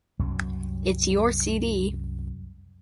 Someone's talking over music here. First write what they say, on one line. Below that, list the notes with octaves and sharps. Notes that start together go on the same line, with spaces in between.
It’s your CD.
C2 F#2 F#3